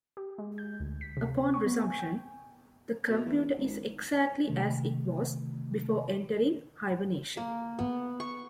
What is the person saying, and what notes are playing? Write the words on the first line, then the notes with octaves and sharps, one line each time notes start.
Upon resumption, the computer is exactly as it was before entering hibernation.
G4
G#3
G6
D2
B6
C3
C4
C#6
B3
G#5
G5
B2
E2
G#1
C3 D#3 A3
A#3
B3
C#6